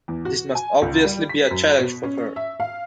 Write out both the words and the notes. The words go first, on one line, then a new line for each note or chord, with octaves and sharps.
This must obviously be a challenge for her.
E2
F#4
G#5
C#2
G3
B6
F#2
B2
C#4
E5
F5